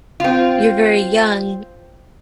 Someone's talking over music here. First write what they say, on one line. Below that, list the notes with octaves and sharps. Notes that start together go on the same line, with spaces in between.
you're very young,
C4 F4